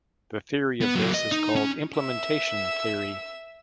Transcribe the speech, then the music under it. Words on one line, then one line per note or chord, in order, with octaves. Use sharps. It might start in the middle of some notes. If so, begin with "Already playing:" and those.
The theory of this is called implementation theory.
B3
F#3 A#3
D#5
D#4
C#4
E5 E6